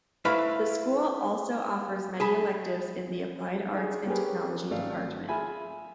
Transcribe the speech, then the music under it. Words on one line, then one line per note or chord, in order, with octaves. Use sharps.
The school also offers many electives in the Applied Arts and Technology Department.
A3 E4 B4 C5 F5 B5
G#4 A5 B5
D4 G#4
A#3 C#4 G4 G#4 B4
G#1 A3 D5 F5
F4 G#4 E5 G#5 B5